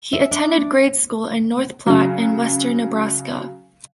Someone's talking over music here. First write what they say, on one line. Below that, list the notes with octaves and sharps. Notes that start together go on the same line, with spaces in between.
He attended grade school in North Platte in western Nebraska.
E5
D4
C#3 F#3